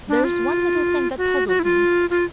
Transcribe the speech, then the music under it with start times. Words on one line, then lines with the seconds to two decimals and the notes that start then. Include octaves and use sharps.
But there's one little thing that puzzles me.
0.09 D4
0.24 F4
1.18 F#4
1.48 F#4
1.59 E4
1.64 F4
2.10 F4